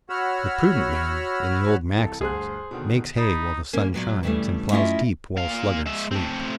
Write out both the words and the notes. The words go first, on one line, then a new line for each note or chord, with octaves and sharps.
The prudent man, in the old maxims, makes hay while the sun shines and ploughs deep while sluggards sleep.
F#4 C#5 F#5 B5 E6 F6
C2 E3 A4
D2 G2 G#4 C5 F#6
B2 D3 D#3
D#4 B5 G#6 A6
A#3 C#4
A#2 F#3 B3
G2 C#3 E3 F3 G3 A3
A3 C#4 E4 F4 D#5
A#2 F5
G#3 E5
A3 C4